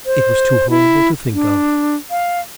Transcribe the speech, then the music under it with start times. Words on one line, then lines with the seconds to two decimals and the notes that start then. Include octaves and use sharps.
It was too horrible to think of.
0.06 C5
0.70 E4
1.33 D4
2.11 F5